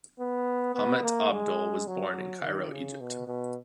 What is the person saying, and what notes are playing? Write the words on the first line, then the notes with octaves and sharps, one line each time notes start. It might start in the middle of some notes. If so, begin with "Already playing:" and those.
Ahmet Abdol was born in Cairo, Egypt.
B3
B3
A#3
G#3
F#3
D#3
C#3
B2
B2